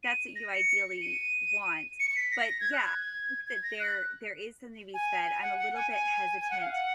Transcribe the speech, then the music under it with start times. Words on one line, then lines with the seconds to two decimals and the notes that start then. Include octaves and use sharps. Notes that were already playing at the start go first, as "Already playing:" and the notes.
that's what you ideally want, but yeah, think that there there is something to be said I'm a little bit hesitant
0.03 D#7
0.36 A#6
0.53 C#7
1.01 D#7
1.99 C#7
2.10 C#7
2.16 B6
2.31 A#6
2.49 A#6
2.60 G#6
2.72 F#6
2.84 G#6
3.47 G#6
3.63 A#6
3.80 F#6
4.94 G#5
5.42 F#5
5.58 F#5
5.74 G#5
5.91 G#5
6.40 G#5
6.50 F#5
6.61 F5
6.71 F#5